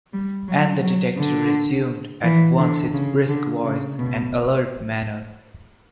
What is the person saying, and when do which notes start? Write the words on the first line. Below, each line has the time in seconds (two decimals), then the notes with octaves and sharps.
And the detective resumed at once his brisk voice and alert manner.
0.13 G3
0.48 F#3
0.83 F#3
1.18 D3
2.23 E3
2.58 D3
2.93 C#3
3.29 D3
3.64 C#3
3.99 B2